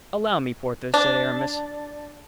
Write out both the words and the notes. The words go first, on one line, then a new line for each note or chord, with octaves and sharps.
"Allow me, Porthos," said Aramis.
D4